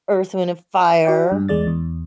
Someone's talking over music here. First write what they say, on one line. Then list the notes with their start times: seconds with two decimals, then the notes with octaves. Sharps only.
Earth, Wind& Fire,
1.05 F#4 D5 G5
1.32 G2
1.49 E2 G#3 D5 A6
1.67 E2